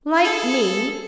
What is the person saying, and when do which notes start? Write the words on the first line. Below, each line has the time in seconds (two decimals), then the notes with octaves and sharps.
Like me!
0.25 G#4 A4